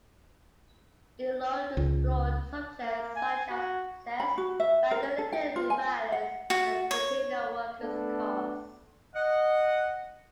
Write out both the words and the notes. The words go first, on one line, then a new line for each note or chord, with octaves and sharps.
De Leon explored subjects such as incest, fraternity violence, and the Filipino workers' cause.
C#2
A#3
G#5
F#4
B5
F#4
E5
A#4
C#5
A4
G5
F4
G#5
F#5
F#4
C#5
A3 B3 D4 A4
D#5 F#5